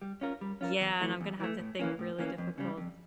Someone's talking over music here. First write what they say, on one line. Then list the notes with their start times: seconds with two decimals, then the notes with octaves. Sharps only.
yeah, and I'm gonna have to think really difficult.
0.02 G3
0.21 C#4 F4 A#4
0.41 G3
0.61 C#4 F4 A#4
0.81 E2
1.01 E3 A3
1.21 E2
1.40 E3 A3
1.60 A2
1.79 E3 A#3 C#4
1.99 A2
2.19 E3 A#3 C#4
2.38 F2
2.58 C#3 G3
2.77 F2